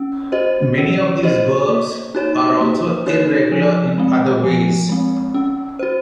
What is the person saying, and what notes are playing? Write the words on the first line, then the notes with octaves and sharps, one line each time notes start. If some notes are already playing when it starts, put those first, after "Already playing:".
Many of these verbs are also irregular in other ways.
Already playing: C#4
F#4 C5 D#5
C#4
F#4 C5 D#5
A#3
D#4 F#4 C#5
A#3
D#4 F#4 C#5
F3
G#3 C4
F3
G#3 C4
C#4
F#4 C5